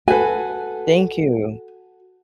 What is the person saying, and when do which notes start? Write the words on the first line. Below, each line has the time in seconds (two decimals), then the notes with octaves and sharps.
Thank you.
0.08 F#4 A4 B4 G#5